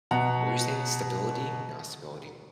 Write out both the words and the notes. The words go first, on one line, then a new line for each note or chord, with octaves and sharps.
What were you saying, stability? Not stability
B2 F#5 A#5